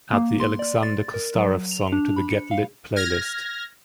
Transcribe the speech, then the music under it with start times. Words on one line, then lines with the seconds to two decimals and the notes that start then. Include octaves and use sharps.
Add the alexander kostarev song to the get lit playlist.
0.13 A#3
0.40 C6
0.59 D5
0.83 A6
1.14 A#4
1.36 F#3
1.71 F7
1.92 D4
2.16 B5
2.30 C#7
2.51 F5
2.96 F6 G#6 A#6